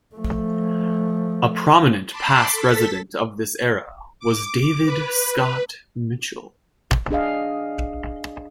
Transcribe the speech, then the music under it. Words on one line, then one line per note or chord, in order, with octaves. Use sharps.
A prominent past resident of this era was David Scott Mitchell.
F3 A3
A5 B5 C6 D6
A4 A6 B6
D6
B4
D4 G#4 D#5 F5